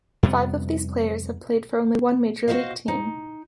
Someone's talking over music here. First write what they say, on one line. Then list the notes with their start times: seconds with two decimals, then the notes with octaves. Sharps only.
Five of these players have played for only one major league team.
0.23 F2 C3 G3 B3
2.48 F#4 G#4 C5 D#5 F5
2.88 D#4